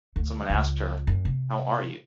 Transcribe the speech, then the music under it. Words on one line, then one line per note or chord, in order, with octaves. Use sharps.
Someone asked her: How are you?
D2
C#2
F#2
C3